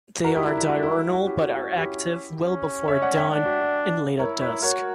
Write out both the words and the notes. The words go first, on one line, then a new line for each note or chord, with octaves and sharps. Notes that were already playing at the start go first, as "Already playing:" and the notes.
They are diurnal but are active well before dawn and late at dusk.
D4 F#4 A#4
E4 G4
E4
E4
F#4
E4
C#4 F#4
E4 G4
F#4
F#4
E4 G4
C#4
C#4 C#5 E5
D5 F#5
E5 G5
D4
F#4
F#4
E4 A#4 C#5
C#5 E5
F#4 A#4 C#5